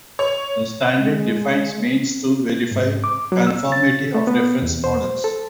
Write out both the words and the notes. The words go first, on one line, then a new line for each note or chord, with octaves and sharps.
The standard defines means to verify conformity of reference models.
C#5
G#3
G#2
D6
F#3
E6
A6
A3
B3
E2
C5
A4